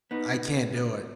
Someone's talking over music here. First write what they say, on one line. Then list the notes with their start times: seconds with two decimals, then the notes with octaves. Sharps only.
I can't do it.
0.11 B3 D#4